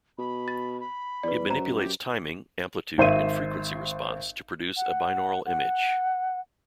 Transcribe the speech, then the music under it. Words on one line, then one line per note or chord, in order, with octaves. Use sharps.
It manipulates timing, amplitude and frequency response to produce a binaural image.
B2 B5
A6
B5
E2 B4 D5
F#2 C5 A#5
G4
G#1 C5 E5 D#7
F#5
F#5